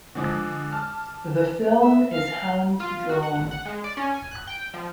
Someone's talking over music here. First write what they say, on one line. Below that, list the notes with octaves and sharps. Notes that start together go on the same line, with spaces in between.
The film is hand-drawn.
D3 F3 G#3 D6 D#6
A5 F6
E5
F5
F4
F#4
F#5
A1
F#5
G#3
D5
C#4
G#5
F#6
G5
F3